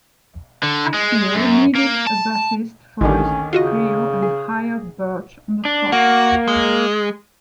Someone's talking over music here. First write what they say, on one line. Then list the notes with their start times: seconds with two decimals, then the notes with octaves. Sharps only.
Akio needed a bassist for his trio and hired Birch on the spot.
0.63 D3
0.94 G#3
1.34 F#2
1.75 A#3
2.07 A5
3.01 A1 D#2 D3 D#3 C#4
3.53 C#3 F4 F#4 D#5
4.22 G#4
5.65 D4
5.92 A#3 F#4
6.48 G#3